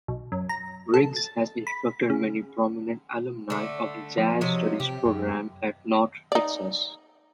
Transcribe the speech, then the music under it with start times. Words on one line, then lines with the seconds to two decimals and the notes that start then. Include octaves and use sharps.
Riggs has instructed many prominent alumni of the Jazz Studies program at North Texas.
0.08 B1
0.32 F#2
0.49 A#5
0.94 A4
1.16 A6
1.67 B5
2.10 C#3
3.50 D3 A3
4.17 F3
4.41 C3 F#3 D#5
4.80 C3 G4
5.05 F#2
6.32 D#4 D5